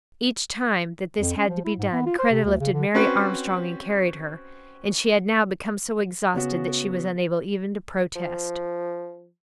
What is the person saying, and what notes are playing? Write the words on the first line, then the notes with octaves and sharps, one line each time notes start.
Each time that this had to be done, Kreta lifted Mary Armstrong and carried her, and she had now become so exhausted that she was unable even to protest.
F2
C#4
F3
E4
G#2
B3
F4
C5
C3
D2
C#3
D3
C4 C#4 F#4 B4 C5
C#3 B3 F#4
F3